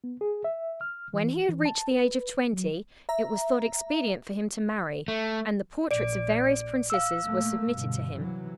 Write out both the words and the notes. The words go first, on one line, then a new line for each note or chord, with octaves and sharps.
When he had reached the age of twenty, it was thought expedient for him to marry; and the portraits of various princesses were submitted to him.
B3
G#4
E5
F6
E3
E3
A5
B4
F#3
E5 A#5
A3
A#1 D5 D7
F5 E6
A#2 A3 A#3
G2 B2 D3
C3 E3 F#3